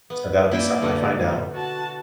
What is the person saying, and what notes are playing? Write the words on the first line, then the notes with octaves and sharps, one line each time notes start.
So, that'll be something I find out.
B3
A#3 E4 D5 G5 G#5
B2 D3 B3
F#4 A5